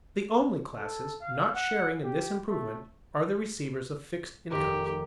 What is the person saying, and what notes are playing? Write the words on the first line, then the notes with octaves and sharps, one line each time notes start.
The only classes not sharing in this improvement are the receivers of fixed incomes.
A4
F5
F#5
G4
A3
F1 D#3 G4 A#4